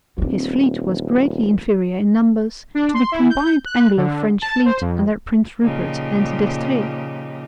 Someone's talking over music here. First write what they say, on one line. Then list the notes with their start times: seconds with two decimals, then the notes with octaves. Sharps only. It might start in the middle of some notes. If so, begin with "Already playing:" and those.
His fleet was greatly inferior in numbers to the combined Anglo-French fleet under Prince Rupert and D'Estrees.
0.18 D#1 C4 D4
2.75 D4
2.94 C6
3.12 E4
3.30 G6
3.65 F#6
3.97 D3
4.42 A5
4.65 C5
4.81 F2
5.61 A#2 C#3 F3 D#4 G4